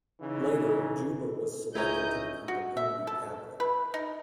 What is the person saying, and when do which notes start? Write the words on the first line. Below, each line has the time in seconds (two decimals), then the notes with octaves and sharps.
Later, Juba was selected to become the permanent capital.
0.21 C#3 E3 D#4
1.75 C#2 C#4 D#4 E4 D#5 G6
2.48 F#4
2.77 E5
3.07 A4
3.60 B4
3.94 D#4